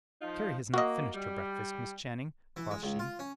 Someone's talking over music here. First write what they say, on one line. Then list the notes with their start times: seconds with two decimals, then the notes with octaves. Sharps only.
"Carry has not finished her breakfast, Miss Channing," quoth she.
0.22 F3 D#4 F4
0.74 A#3 F#4 D#5
1.15 G3
2.57 E3
2.71 G#3
2.83 C#2
2.99 F4
3.19 C#4